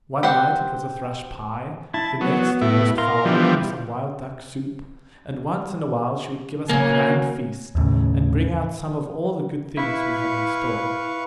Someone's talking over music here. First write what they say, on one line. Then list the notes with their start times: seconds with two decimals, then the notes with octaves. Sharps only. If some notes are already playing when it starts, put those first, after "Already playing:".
One night it was a thrush pie, the next a roast fowl, or some wild duck soup; and once in a while she would give us a grand feast, and bring out some of all the good things we had in store.
0.23 C4 G4 C5 F#5
1.94 E4 A5
2.21 F#3 B3
2.61 A2 E4
2.98 A#4 F5 C6
3.25 D3 E3 F3 G3 B3
6.69 C#3 F#3 A#3 G#5
7.75 D#2 A2 C#3
9.77 E4 B4 F5 C#6